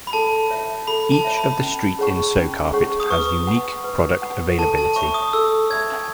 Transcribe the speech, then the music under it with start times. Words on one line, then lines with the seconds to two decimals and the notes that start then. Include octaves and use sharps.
Each of the street in Sowcarpet has unique product availability.
0.07 B5
0.13 A4 A5
0.50 C#5 E5
0.87 A4 B5
1.12 A5
1.25 C#5 E5
1.37 B5
1.62 C#4
1.99 G#4 C#5 F#5 C#6
2.36 C#4
2.73 G#4 C#5 F#5 C#6
3.00 D#6
3.10 B4 C#6
3.47 F#5 B5
3.84 B4
4.22 F#5 B5
4.59 A4 A5
4.78 A5
4.96 C#5 E5 B5 C#6
5.14 D#6
5.33 A4 E6
5.70 C#5 E5 B5 G#6